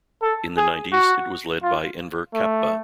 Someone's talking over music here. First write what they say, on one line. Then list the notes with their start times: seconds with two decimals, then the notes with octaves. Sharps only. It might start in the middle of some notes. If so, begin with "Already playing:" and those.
In the nineties, it was led by Enver Kapba.
0.22 A4
0.57 G#4
0.93 F#4
1.63 F4
2.34 A3